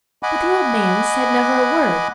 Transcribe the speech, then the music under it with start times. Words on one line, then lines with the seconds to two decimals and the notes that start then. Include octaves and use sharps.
But the old man said never a word.
0.23 D#5 F#5 G#5 B5 D6